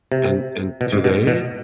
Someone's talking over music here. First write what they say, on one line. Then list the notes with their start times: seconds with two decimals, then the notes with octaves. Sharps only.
and and today,
0.12 C3
0.81 B2
0.92 G#2
1.04 B2
1.27 B2